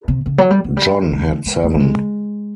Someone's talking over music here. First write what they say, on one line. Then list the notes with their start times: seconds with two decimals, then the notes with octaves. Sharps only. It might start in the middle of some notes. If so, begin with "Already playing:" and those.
John had seven.
0.08 C3
0.26 C#3
0.38 F#3
0.51 G3
0.64 F#3
0.77 G3
1.11 G#3
1.29 A3
1.45 G#3
1.63 A3
1.75 A3
1.80 G#3